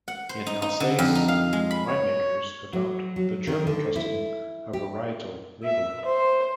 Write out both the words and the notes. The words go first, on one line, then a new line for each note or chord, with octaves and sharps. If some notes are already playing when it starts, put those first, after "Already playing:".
In Alsace, winemakers adopt the German custom of varietal labeling.
F#5
C5
D#4
D#4
D3
F2
D#4
F5
G#3
B5
C#5
F#3
F#3
D#3
D3
E4
G4
E5
C5